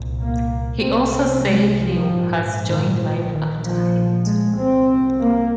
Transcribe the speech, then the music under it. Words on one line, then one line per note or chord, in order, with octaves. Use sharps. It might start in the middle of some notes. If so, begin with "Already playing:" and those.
He also said he has joined Life After Hate.
Already playing: C2 A#2
A#3
C2 C3 C4
C4
G#3
F3
A#1 G#2
D#3
F3
A#1 A#2 D#3
F3
G#3
C2 C3 C4
A#3